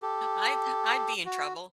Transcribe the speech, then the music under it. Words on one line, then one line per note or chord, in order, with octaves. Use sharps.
I'd I'd be in trouble.
G4 A4
F#4